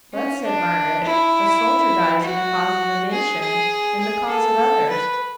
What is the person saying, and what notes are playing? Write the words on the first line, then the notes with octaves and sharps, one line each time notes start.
'But,' said Margaret, 'a soldier dies in the cause of the Nation--in the cause of others.'
C#4
D4
E4
F#4
G#4
G#4
G#4
A4
B4